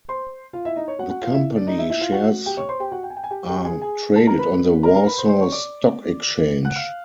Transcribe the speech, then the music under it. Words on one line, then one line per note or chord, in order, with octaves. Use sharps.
The Company shares are traded on the Warsaw Stock Exchange.
C5 C6
F4 F5
E4 E5
D#4 D#5
C#5
F#4 F#5
F#4 F#5
F4 F5
E4 E5
D4 D5
D#4 D#5
E4 E5
E4 E5
F4 F5
F#4 F#5
G4 G5
C#5 C#6
C5 C6
G4 G5
F#4 F#5
G5
G#5
G5
G#5
G4 G5
G4 G5
G#4 G#5
G#4 G#5
A4 A5
A#4 A#5
B4 B5
A#4 A#5
A#4 A#5
B4 B5
C5 C6
C5 C6
C#5 C#6
D5 D6
F#5 F#6
F5 F6